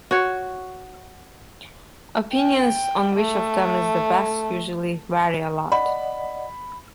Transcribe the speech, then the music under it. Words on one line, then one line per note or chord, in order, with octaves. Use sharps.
Opinions on which of them is the best usually vary a lot.
F#4 C#5
G5
A3
D5 D#5 F#5 B5